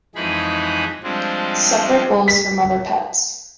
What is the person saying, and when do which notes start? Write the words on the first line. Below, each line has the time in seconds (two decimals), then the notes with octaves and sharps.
Separate bowls from other pets.
0.15 F2 E3 G#3 D#4 G#4 B5
1.03 F3 G3 G#3 C4 D4
2.28 B6